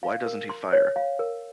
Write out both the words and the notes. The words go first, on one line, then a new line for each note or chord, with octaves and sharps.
Why doesn't he fire?
F5
A#4
C6
C#5
F5
A#4